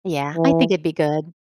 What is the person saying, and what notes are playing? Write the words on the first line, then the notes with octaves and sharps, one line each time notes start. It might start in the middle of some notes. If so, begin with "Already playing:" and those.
Yeah, I think it'd be good.
E3